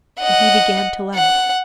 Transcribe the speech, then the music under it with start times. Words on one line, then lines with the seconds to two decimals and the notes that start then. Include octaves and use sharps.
And he began to laugh.
0.20 D#5 F#5
1.15 F#5